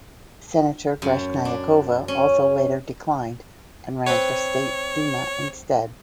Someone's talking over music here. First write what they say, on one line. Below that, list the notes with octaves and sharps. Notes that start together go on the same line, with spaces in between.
Senator Greshnyakova also later declined and ran for State Duma instead.
F#2
D4
C#4
C4 B4 C#5